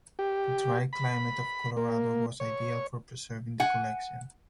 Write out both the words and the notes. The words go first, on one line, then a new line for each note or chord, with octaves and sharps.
The dry climate of Colorado was ideal for preserving the collections.
G4
B5
A#3
C#5
F#5 G#5